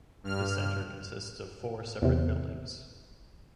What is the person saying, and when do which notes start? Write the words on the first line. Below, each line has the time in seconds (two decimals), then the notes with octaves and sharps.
The centre consists of four separate buildings.
0.23 G2 F6
2.02 E2 C3